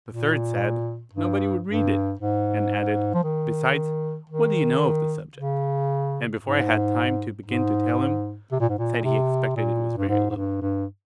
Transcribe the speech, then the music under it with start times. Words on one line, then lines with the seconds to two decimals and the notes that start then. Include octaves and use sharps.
The third said, "Nobody would read it," and added, "Besides, what do you know of the subject?" and before I had time to begin to tell him, said he expected it was very little.
0.09 A#2
1.13 G2
1.67 G2
2.19 G#2
3.14 F3
3.24 D#3
4.30 D#3
5.35 C#3
6.41 G#2
7.46 G#2
8.52 C3
8.60 A#2
8.69 G#2
8.79 A#2
9.04 C3
9.56 A#2
9.97 G2
10.09 G#2
10.30 G#2
10.35 G2
10.61 G2